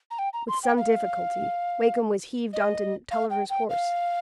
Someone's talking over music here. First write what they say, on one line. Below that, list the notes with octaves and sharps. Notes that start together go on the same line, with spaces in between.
With some difficulty, Wakem was heaved on to Tulliver's horse.
A#5
G5
A#5
C6
G5
F5
D#5
F5
G5
G5
F5